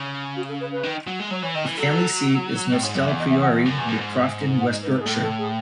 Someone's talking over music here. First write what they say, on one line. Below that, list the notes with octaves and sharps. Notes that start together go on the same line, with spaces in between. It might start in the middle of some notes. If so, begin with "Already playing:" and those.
The family seat is Nostell Priory, near Crofton, West Yorkshire.
Already playing: C#3
F#4
A4
B4
B4
D#3
F#3
G#3
F#3 C#5
E3 C#5
D#3 D#5
E3
F#3 A4
A2 B4
G#2 C#5
F#2 C#5
E2 E5
D#5
E5
F#5
F#2
E2
F#2
G#2
F#5
D#5
B4
B4
G#4
A2 A4
A4
G#4